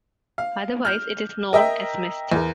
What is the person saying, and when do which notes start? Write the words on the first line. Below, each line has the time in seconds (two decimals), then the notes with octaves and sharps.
Otherwise it is known as mist.
0.38 F5
0.85 F6 G6
1.53 A#4 D#5 E5 G5
2.32 E2 A#4